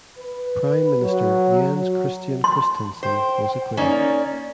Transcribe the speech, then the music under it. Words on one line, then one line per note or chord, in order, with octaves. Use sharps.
Prime Minister Jens Christian Christensen was acquitted.
B4
F#3
F#3
C6
C5 G5
A#3 C#4 D#4 D5